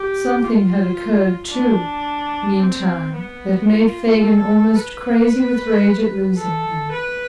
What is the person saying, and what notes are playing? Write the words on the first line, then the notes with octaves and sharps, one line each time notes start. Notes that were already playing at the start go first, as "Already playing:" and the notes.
Something had occurred, too, meantime, that made Fagin almost crazy with rage at losing him.
Already playing: G4
F4
D4
C4
B3
F4
A4
B4
A4
B4